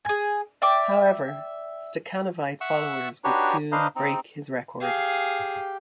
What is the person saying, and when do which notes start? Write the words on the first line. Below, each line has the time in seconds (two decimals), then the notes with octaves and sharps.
However, Stakhanovite followers would soon "break" his record.
0.05 G#4 G#5
0.62 D5 E5 G5 D6
2.61 E5 F#5 C#6 E6
3.24 D4 D#4 F#4 G4 B4 C#5
3.72 D4 D#4 B4 C5 D#5 F5
3.96 C4 D#4
4.81 G4 G#4 F5